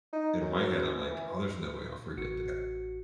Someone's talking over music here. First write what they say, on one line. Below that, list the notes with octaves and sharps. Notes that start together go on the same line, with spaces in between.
in my head, I'm like, "Oh, there's no way I'll forget that,"
D#4
F#2
E3
A1 F#4 C#7